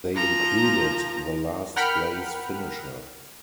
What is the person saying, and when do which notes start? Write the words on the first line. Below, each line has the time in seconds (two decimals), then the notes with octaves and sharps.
They included the last place finisher.
0.14 F3 A#5
1.76 A#4 F#5 G5 B5 F6